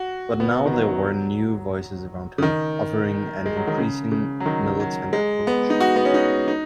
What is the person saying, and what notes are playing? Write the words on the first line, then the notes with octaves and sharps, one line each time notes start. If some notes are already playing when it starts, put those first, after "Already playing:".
But now there were new voices around him, offering an increasing militant approach.
Already playing: F#4
B3
D#3
F#3
C#3
D#3
G#3
F#3
D#3
C#3
C#3
F#3
D#3
F#3
G#3
B3
D#4
F#4
B3
C#4
D#4
D#4